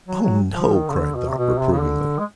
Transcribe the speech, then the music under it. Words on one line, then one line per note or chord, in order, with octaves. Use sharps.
"Oh, no," cried Dot reprovingly.
F#3
F#3
F3
D#3
C#3
D3
B2
C3
B2
C3
C#3
D3
G#3